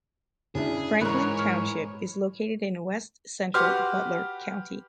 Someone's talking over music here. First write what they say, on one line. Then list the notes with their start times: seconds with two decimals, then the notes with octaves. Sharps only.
Franklin Township is located in west-central Butler County.
0.55 C#3 D4 E4 G#4
1.01 G#2 E3 A#4 C#5
1.39 F6
3.54 F#4 G4 B4 C6 F6